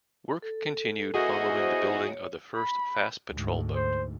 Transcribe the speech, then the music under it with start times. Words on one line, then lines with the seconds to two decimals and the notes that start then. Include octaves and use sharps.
Works continued following the building of the first fast patrol boat.
0.42 A4
1.14 E2 E3 F#4 G#4 D#5
1.56 C5
2.08 C#5
2.55 B5
3.30 D2 G#2
3.75 C5